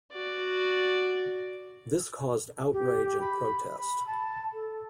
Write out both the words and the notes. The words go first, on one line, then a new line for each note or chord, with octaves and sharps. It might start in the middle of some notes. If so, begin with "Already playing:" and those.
This caused outrage and protest.
F#4 D5
G4
B5
B5
A5
A4